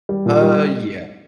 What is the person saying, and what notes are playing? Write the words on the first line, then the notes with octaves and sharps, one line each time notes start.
Uh, yes.
G3
A#2
G3